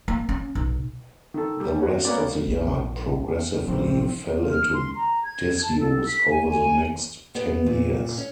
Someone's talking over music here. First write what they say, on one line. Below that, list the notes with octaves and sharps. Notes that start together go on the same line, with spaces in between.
The rest of the yard progressively fell into disuse over the next ten years.
A#3
C#4
B1
D#3 A4
G3
C#4 F#4
A#3 B3 C#4 D5
A#1
A1 F3 C4
F4
F6
C6
A#5
G#6
A5
A4
B6
G#5
G#5
B3
A#2
C#4